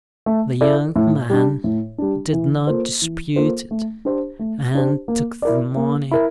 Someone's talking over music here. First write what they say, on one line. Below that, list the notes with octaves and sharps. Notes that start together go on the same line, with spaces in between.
The young man did not dispute it and took the money.
A3
E4 A4 D5
A2
G3 D4
A2
G3 D4
E3
A#3 F4 A4 C5
E3
A#3 F4 A4 C5
A3
D4 G4 C5
A3
D4 G4 C5
A#3
E4 A#4 D5
A#3
E4 A#4